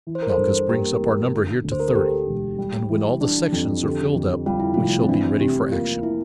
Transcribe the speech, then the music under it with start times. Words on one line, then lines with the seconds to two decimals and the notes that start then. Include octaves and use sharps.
Malchus brings up our number here to thirty, and when all the sections are filled up we shall be ready for action.
0.07 E3
0.15 C5
0.22 A#4
0.30 A4 C5
0.38 G2
0.69 A#3 G4 A#4
1.00 A1
1.33 D3
1.64 D2
1.72 C5
1.80 A#4
1.88 A4
1.95 A3 G4
2.27 E1
2.58 G3
2.89 E3
3.21 D4
3.52 F2
3.83 D3 G4
4.15 F2
4.46 G3 F4
4.60 E4
4.74 F1 F4
5.02 C4
5.09 E3 D4
5.41 C3 G4
5.72 A#3 F4
6.03 E4